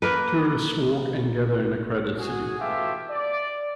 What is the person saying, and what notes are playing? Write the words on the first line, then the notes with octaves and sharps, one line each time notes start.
Tourists walk and gather in a crowded city.
A#3 A#4 B4
F#4 G#4
A1 B2 A3 F4 G4 E5
D5